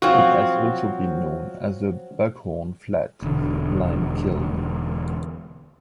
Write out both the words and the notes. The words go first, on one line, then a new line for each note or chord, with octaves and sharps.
It has also been known as the Buckhorn Flat Lime Kiln.
F3 F#3 C4 F#4 F5
E1 D3